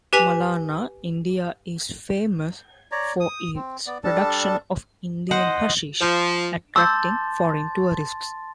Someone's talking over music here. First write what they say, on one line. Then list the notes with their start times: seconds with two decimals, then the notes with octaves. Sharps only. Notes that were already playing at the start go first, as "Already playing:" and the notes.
Malana, India is famous for its production of Indian hashish, attracting foreign tourists.
0.13 G4 B4 G#5 B6 F7
2.92 C#5 D5 A#5
3.20 D#6
3.56 C4
3.87 B3 D5
4.04 G3 D4 A4 A5
5.31 C5 D#5 F#5
6.01 F3
6.76 A5 C6 D6 E6 G6 A6